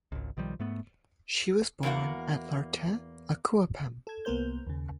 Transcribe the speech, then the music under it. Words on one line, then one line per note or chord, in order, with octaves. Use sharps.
She was born at Larteh Akuapem.
G#1 C#2
B1 D#3 F3 G3
G#2 A3 B3
E2 D#3 A#3 F#4 F#5
A4 G#6
C2 A#3 B3 A#4 C5 G6
D#2 C#3